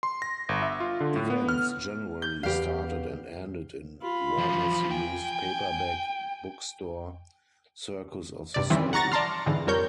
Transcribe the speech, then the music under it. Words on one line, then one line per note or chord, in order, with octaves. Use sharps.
Events generally started and ended in Warne's used paperback bookstore, "Circus of the Soul".
C6
A#6
G1
E5
F4
D3
A2
B3
F6
G6
E2 G4 B4 F5
F4 B5
E3 F3
G5 G#5
G2 C3 D5
D#3 E3 G3 C4 C#4 E4
F#5 A#5 C#6 A6 A#6
D5 A5 A#5 C6 F6
F2 G#2 D3 E3
F2 G3 A#4 C#5 G6